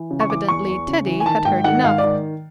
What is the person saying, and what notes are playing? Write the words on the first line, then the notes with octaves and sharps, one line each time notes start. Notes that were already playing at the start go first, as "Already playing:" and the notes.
Evidently Teddy had heard enough.
Already playing: E3
C#3
C#6
E3 D6
E2 C#6
E2
C#3
E3
G#5
D#3 A5
G#2 G5
D#3 F#5
G#2 F5
D5
D#3